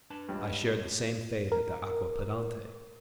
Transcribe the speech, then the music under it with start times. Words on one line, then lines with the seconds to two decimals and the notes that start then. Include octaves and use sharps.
"I shared the same fate at Aquapendente."
0.10 D4 B4 A5
0.29 C#2 G2
1.52 A#4